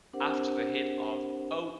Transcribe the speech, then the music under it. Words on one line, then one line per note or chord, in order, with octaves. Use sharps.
After the hit of Oh!
C4 D4 G4 A#4 C5 F#5